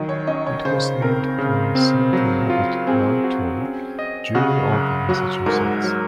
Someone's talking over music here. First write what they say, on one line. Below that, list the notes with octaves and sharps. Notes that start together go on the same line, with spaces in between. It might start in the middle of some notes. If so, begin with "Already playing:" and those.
It was named for Senator Robert Rantoul, Junior of Massachusetts.
Already playing: D#3 F#3 D#5
C#5
C#4 D#5
C#5
C#3 C5
C4 A#4
C#3
C4
F#3
F4
C4 G#4
F#4
C#4
D#5
C#3 F#4
F#2
F#3 F#4
G#2 A#4
F#3